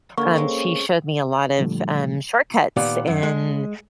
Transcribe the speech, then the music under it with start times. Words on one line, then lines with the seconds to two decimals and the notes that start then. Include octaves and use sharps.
um, she showed me a lot of, um, shortcuts, and,
0.18 D3 A#3 C4 C#6
0.36 G#3 C4 C#4
1.59 A#2 D3 F3 G3 A3
2.77 A#2 D#3 B3 G4 D5
3.07 F#2
3.23 G#3